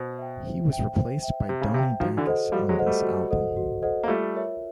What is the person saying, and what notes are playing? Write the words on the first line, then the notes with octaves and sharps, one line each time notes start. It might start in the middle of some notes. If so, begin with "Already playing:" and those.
He was replaced by Donnie Dacus on this album.
Already playing: B2 C5
E5 G5
C5
E5 G5
C5
E5 G5
C3 C5
C#3
C3 E5 G5
D#3 F3 F#4
D3 E3
A4 C5 D#5 F#5
F3 G3 F#4
F#3 G#3
A4 C5 D#5 F#5
G3 A3
F#4
A4 C5 D#5 F#5
F#4
A4 C5 D#5 F#5
A#3
G3 A3 F4
A#4 C#5 E5